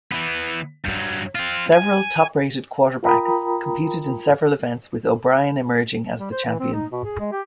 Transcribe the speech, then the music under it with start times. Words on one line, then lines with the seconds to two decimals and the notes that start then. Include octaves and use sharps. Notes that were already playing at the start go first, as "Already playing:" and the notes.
Several top-rated quarterbacks competed in several events with O'Brien emerging as the champion.
0.12 E3 B3
0.85 G2 F#3
1.35 C4 F4
1.73 G#5
3.03 F4 A#4 G5 A#5 B5 D#6
6.19 G3
6.31 C5
6.45 E3
6.60 C4
6.73 D#4
6.92 B2
7.04 G#4
7.19 G#3
7.32 G4